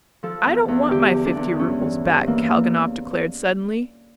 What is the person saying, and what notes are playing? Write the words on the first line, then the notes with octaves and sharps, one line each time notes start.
"I don't want my fifty roubles back," Kalganov declared suddenly.
F3 A4
E2
E2
D3 G4
F3
D4
E2
G2 C#4
E3
G2
E3 A#3